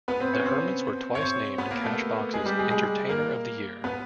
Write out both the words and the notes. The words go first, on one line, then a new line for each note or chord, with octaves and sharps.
The Hermits were twice named Cashbox's "Entertainer of the Year".
B3 B4
C4 C5
C#4 C#5
C4 C5
C#5
C4 C5
B3 B4
A#3 A#4
A3 A4
G#3 G#4
G3 G4
G#3 G#4
G#3 G#4
A#3 A#4
B3 B4